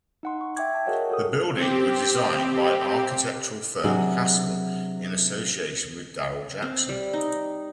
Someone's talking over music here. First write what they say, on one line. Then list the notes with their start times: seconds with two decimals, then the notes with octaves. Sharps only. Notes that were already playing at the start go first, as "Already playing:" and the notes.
The building was designed by architectural firm Hassell, in association with Daryl Jackson.
0.23 D#4 F#5 C6
0.41 C#6
0.57 E5 G5 D6 G#6
0.75 A5
0.86 F#4 G#4 A#4 C#5 D#5 F#5
1.10 F#4 A4 A#4 D#6
1.55 C4 G4
3.84 C3 F#3 D4 F#4 G#4
6.62 C4
6.89 G3
7.13 D#4